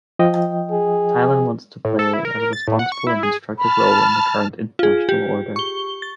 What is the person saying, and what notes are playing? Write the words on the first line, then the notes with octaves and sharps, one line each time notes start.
Thailand wants to play a responsible and constructive role in the current international order.
F3 D#5 G5
G#4
A2
A4
E4
A#4
A#4
A6
A2
F#5
C#6
E4
G#4
A5 B5 F6
F4 G#4
G4
C#6 G7
A6